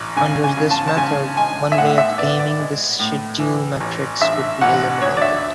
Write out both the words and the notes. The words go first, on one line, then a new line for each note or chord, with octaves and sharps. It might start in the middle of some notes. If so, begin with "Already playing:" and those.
Under this method, one way of gaming the schedule metrics would be eliminated.
Already playing: A1
C#3 G#5
G#5
C#3
A5
A5
C#3 G#5
G#3 G#5
E5
A2 F#5
E5
B3 D5
D5
G#3
A2
E3
A1
A1 E5
A1 F#5
D2 C#5
D5
E5